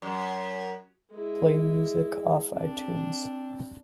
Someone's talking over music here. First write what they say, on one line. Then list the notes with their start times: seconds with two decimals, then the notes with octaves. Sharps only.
Play music off Itunes.
0.02 F#2
1.11 G#3 E4
2.54 C4 D4